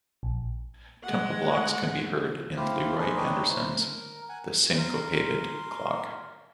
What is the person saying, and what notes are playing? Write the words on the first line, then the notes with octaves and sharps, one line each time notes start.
Temple blocks can be heard in Leroy Anderson's "The Syncopated Clock".
A#1
G#3 F#5
E4 G4 C5 F5
D#4 G#4 A4 B4 C5
D4 D#4 G4 B4 C#5 D#5
E4 C5
A#4
F#5 G#5
A#4 C6